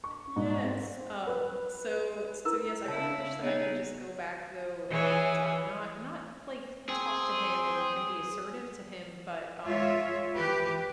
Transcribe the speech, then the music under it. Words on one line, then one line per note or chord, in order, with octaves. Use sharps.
Yes, um, so so, yes, I really wish that I could just go back though, and, um, not not, like, talk to him and and be assertive to him, but, um,
C#6
G#2
C4
B4
E4 A#4 B4
C#3 E4 C#5 A5
B3 D#4 G#4 C#5 D#5
E3 G#4 C#5
C4 G#4
G#3 F4 C#5 E5
E3 G4 B4